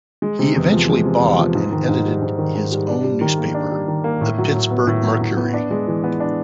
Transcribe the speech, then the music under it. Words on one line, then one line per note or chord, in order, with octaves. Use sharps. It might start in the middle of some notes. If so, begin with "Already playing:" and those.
He eventually bought and edited his own newspaper, the "Pittsburgh Mercury".
G#3
C3
E2
F3
G#3
C3
E2
F3
G#2
D#3
G#2
G3
G#2
D#3
G#2
G3
D4
G3
D#3
A#3
D4
G3
D#3
A#3
A2
F#3
A2
B3
A2
F#3
A2
B3
D4
G#3
E3
B3
D4